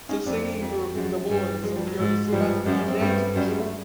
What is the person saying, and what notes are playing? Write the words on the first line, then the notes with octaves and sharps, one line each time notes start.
The singing group The Boys appeared as background dancers.
C#4 D#4
F2 C4 D4
F2
F#2 F#3 G#3
G2
F#3 G#3
F3 G3
F#3
G#2
G#3
G2 F3 G3
F#2
C#4
C4
G2 A3 B3
F#2 G3
G#3
A3